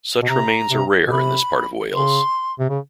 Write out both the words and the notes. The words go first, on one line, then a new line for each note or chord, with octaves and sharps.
Such remains are rare in this part of Wales.
B2
C3 A#5
C3
B2
C3 B5
C#3 C6
C3
C#3